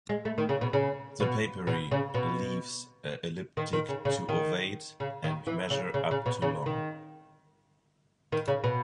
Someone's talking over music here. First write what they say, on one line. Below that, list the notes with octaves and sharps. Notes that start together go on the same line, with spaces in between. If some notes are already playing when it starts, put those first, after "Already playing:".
The papery leaves are elliptic to ovate and measure up to long.
G#3
A3
D#3
C#3
B2
C#3
B2
B2
C#3
B2
D#3
D#3
C#3
C#3
D#3
C#3
D#3
E3
C#3
C#3
C#3
B2
C#3
D#3
D#3
C#3
B2